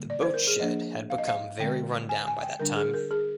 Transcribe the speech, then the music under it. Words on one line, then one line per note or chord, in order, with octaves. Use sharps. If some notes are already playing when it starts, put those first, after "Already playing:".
The boatshed had become very run down by that time.
Already playing: D3 G3 A#3
D5
C5
A#4
G#4
F3 A#3 D4 D#5
F5
D#5
F5
D3 G#3 C4 G5
G#5
G#5
G5
D3 G3 D4 A#4
G#4
A#4
G#4